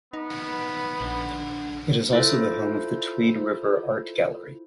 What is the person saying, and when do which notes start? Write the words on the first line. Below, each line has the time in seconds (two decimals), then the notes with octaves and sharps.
It is also the home of the Tweed River Art Gallery.
0.13 B3 D#4
1.01 A#1 D4 F#5
2.13 E4 F4 A4 C5